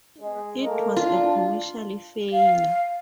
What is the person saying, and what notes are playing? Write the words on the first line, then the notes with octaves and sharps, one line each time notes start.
It was a commercial failure.
G#3
A3 A#3 A#4
D4 F4
F5